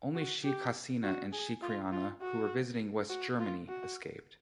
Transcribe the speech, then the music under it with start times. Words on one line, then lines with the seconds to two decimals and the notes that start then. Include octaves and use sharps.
Only Sheikh Hasina and Sheikh Rehana, who were visiting West Germany, escaped.
0.15 F#4
0.44 G4
1.03 F#4
1.32 G#4
1.62 F4
1.92 F4
2.21 F#4
3.09 F#4
3.39 F4
3.68 F#4